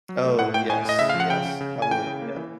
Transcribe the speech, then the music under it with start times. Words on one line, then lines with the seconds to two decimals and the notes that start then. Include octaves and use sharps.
Oh, yes, yes, I would, yep.
0.09 F#3
0.24 A3
0.39 A2 F#5
0.54 A2 G5
0.69 A2 G#5
0.85 A2 D#5
0.99 C#3 E5
1.10 F3 F5
1.20 F#5
1.30 C#3 G5
1.45 C#3
1.61 C#3
1.76 C#3
1.82 G#5
1.91 E3 G5
2.07 C#3
2.22 A#3
2.37 E3